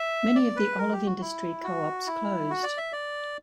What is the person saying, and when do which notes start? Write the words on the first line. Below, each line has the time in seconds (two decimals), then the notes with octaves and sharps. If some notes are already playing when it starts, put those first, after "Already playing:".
Many of the olive-industry co-ops closed.
Already playing: E5
0.36 D5
0.56 B4
0.78 A#4
0.92 G4
1.06 F#4
1.21 E4
1.64 F#4
2.07 E4
2.50 F#4
2.63 D5
2.77 E5
2.92 D5